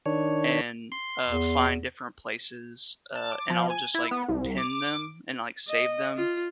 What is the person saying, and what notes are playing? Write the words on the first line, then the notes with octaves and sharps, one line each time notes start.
and, uh, find different places, uh, and I'll just, like, pin them and, like, save them,
D#3 D4 C#5
C6
E2
A5
D6
F3
G#5
E4
B3
C2
D6
D#5
F4